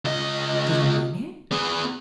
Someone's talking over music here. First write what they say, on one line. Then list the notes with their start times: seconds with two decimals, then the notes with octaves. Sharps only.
"Did he mean it?"
0.05 C#2 D#5
1.52 B3 G#4